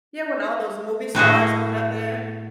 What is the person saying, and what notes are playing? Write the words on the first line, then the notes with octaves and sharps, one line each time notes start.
Yeah, when all those movie stars went up there.
A2 F#4 G#4 D#5